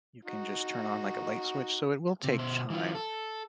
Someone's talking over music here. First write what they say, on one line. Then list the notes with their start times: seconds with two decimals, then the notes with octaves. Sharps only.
you can just turn on like a light switch, so it will take chime.
0.25 D#4 F#4
2.24 C3
2.39 B2 C5
2.70 E3 F4
2.95 A4